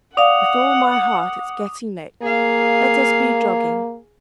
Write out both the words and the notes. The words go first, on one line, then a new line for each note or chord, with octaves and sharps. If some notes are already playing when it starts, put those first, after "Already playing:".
"With all my heart, it's getting late, let us be jogging."
D5 F5 F#5 D6 D#6 F7
A#3 G#4 F5